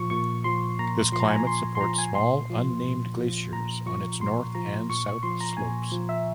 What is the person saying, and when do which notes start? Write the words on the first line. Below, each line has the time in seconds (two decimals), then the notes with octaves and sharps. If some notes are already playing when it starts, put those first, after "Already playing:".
This climate supports small unnamed glaciers on its north and south slopes.
Already playing: A#2 F3 C#6
0.10 A#2 C#6
0.44 F3 C6
0.79 A#2 A#5
1.12 F3 C6
1.20 A#5
1.28 G#5
1.36 A#5
1.47 A#2 C6
1.75 C6
1.81 F3 A#5
1.98 G#5
2.15 A#2 C6
2.50 F3
2.84 A#2
3.18 F3
3.52 A#2 A#5
3.86 F3 C#6
4.20 A#2 C6
4.55 F3 A#5
4.89 A#2 C#6
5.07 C#6
5.23 F3 C6
5.41 A#5
5.57 A#2 G#5
5.92 F3
6.09 E5